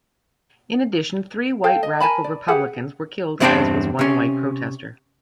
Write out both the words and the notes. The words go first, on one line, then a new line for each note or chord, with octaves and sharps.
In addition, three white Radical Republicans were killed as was one white protester.
A4 F5 G5
D#5
A#4 G#5 A5 B5
D5
G4 G#4 B4 F#5
E2 G2 C4 D4 C5 G5
C3 C#4